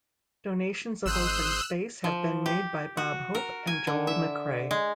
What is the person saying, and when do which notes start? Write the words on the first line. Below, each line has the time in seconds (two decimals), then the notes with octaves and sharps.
Donations of open space have been made by Bob Hope and Joel McCrea.
1.06 G#1 C6 D#6 E6 F#6 G6
2.04 F3
2.46 G4
2.97 F#4
3.35 A#4
3.67 G#5
3.87 D3
4.07 E5
4.71 G#3